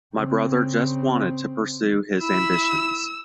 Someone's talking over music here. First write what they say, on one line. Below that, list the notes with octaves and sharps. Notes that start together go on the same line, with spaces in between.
My brother just wanted to pursue his ambitions.
C#3 C4
E4 B5 E6